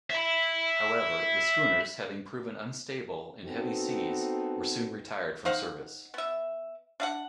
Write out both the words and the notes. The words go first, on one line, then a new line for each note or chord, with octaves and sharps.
However, the schooners, having proven unstable in heavy seas, were soon retired from service.
E5 B5
B3 C4 D#4 F#4 A4
D#4 C5 F5 F#5
B3 E5
D4 F5 F#5